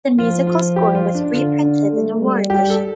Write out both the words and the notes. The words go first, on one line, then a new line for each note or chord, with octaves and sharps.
The musical score was reprinted in a war edition.
F3 F4
F4
G4
F4
D4
D3 F4
A3
G3
G3 G4
A4